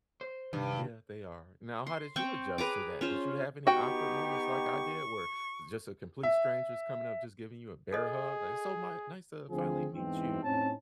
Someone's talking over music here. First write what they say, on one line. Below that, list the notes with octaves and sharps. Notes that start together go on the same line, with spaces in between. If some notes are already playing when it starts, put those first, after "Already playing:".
Yeah, they are. Now, how did you adjust to that? Did you have any awkward moments like I did where it's just a complete stranger's coming up just giving you a bear hug? Like, "It's so my nice to finally meet you," and,
C5
G2 C3 D#3
C6
C4 G5 C#6
G#4 B4 A#5 D6
C#4 F4 C5
B3 D#4 F#4 G4 G5 C#6
E5
G#4 A4 D#5
D2 F3 C4 G#4
E2 G#2 E3 C4
A2 C4 C#4 D#4 A5